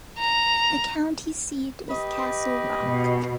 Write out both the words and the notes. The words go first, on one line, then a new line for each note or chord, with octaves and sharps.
The county seat is Castle Rock.
A#5
G4 B4 D#5
B2